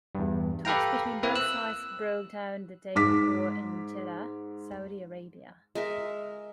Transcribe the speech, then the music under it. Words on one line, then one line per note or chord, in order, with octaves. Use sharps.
Talks between both sides broke down the day before in Jeddah, Saudi Arabia.
E2 G2
G4 A4 B4 F5 G5 A#5
A#3 C4 E4 B4
E6 F#6
G#2 D6 B6
G#3 A#4 E5